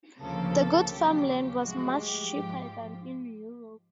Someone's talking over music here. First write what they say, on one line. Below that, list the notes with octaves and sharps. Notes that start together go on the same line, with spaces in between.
The good farm land was much cheaper than in Europe.
D2 C#3 F3 A#3 A4
D#2 C#3 F#3 G4
A2 F3 G#3 F#4
G4
G#2 F3